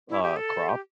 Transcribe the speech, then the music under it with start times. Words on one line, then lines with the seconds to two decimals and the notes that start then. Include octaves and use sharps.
uh, crop,
0.10 E4
0.23 G4
0.36 A4
0.69 G4